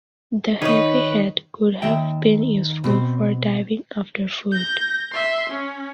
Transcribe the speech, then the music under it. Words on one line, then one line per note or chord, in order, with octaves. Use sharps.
The heavy head could have been useful for diving after food.
D#3 D#4 B4 C#5 D#5
D#2 D#3 E5 G5
B2 C4
G6 A#6
E5 C6
C#4